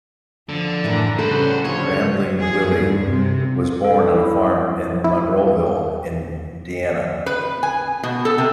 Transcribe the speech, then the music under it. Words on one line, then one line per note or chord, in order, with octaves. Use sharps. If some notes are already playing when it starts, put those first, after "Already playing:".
Rambling Willie was born on a farm in Monroeville, Indiana.
D3 F3
F#2 A2 E3 D4 A#5
C#3 G3 C#4 A4 B4 C5 F#5
D2 D3 F3 G3 C#5
G#4
G2
C3
A4
E4
E4
B4
G#5
B2
A4
C3